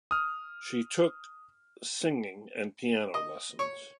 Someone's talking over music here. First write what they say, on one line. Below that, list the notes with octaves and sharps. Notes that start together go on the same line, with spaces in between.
She took singing and piano lessons.
D#6 F6
D#5
C#5